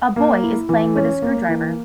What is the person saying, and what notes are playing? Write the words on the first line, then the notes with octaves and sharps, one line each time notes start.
A boy is playing with a screwdriver.
A#3
E4
E3
C#4
A#3
E3